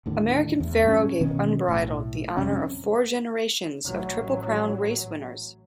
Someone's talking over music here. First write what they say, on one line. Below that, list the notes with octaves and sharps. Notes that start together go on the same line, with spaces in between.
American Pharoah gave Unbridled the honour of four generations of Triple Crown race winners.
D#2 A2 D3
E2
G2 A#2 C#4
B2 D#3 B3 C#4
B1 A2
F2 C3 G3 C#4
A1 E3 F#3